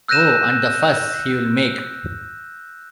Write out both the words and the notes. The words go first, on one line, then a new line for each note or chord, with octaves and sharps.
Oh, and the fuss he’ll make!
E6 F#6 G6 A#6 D#7 E7